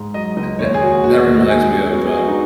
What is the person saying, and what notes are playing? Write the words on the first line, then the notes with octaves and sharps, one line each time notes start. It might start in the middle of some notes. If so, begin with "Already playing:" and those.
Tha that reminds me of, um,
Already playing: G#2 G#3
F#3 D#5
C#2 D#5
D#2 C#5
G#4
D#2 F#4
D#2 F#4
D#3
F#4
G#3 G#4
C#4
B3 F#4
G#4
G#3 F#4
D#4